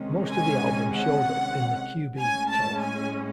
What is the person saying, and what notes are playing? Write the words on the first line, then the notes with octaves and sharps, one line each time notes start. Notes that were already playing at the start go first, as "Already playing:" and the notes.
Most of the album showed up in the Cube-E tour.
Already playing: C3 D#3 G#3 C#4
G#5
F#5
A2 G#3 C#4 G#5
A5
G#5